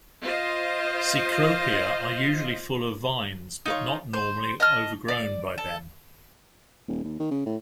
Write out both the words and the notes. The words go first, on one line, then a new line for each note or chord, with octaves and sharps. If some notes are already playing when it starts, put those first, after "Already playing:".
"Cecropia" are usually full of vines but not normally overgrown by them.
F4 C5 D#5
D#4 F4 C#5
C5
D#5 A5 F6
D5
A4
D#1
D#2
D#3
C#3
A2